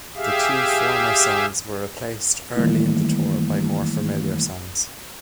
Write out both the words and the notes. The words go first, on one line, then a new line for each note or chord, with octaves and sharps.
The two former songs were replaced early in the tour by more familiar songs.
G4 G#4 E5 F5
D#3 E3 G3 A3 A#3 E4